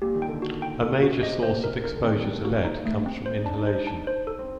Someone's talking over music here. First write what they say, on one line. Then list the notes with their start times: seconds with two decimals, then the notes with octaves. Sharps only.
A major source of exposure to lead comes from inhalation.
0.02 A#2 G4
0.15 D#3
0.22 G5
0.28 D3
0.42 F#4
0.62 G5
0.83 A4
1.03 F#4
1.23 C3 D#5
1.43 A#2 C5
1.64 A#4
1.84 D3 A#4
1.96 D3
2.04 D#3 C4
2.18 G3
2.25 C4
2.32 A3
2.45 A#3 F#4
2.65 D#4
2.86 A3
3.06 C4
3.26 C5
3.35 D#4
3.44 D4 A5
3.53 D#4
3.67 C5
3.87 A5
4.07 C5
4.27 A4
4.39 C4